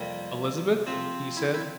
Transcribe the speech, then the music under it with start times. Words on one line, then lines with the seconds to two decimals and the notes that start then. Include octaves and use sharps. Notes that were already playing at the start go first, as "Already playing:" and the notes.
"Elizabeth?" he said.
Already playing: F2 C3 G3 A#3
0.87 C3 F3 C4
1.37 E4
1.54 E4